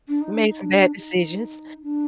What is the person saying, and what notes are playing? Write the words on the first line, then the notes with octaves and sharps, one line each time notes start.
Made some bad decisions.
D4
D#4
D4
D#4
D4
D#4
D4